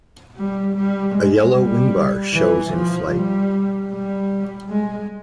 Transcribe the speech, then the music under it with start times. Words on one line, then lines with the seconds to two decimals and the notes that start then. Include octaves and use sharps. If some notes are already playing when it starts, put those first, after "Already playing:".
A yellow wingbar shows in flight.
0.36 G3
0.76 G3
1.15 G#3
1.55 G3
2.33 E3
2.73 F3
3.12 G3
3.91 G3
4.69 G#3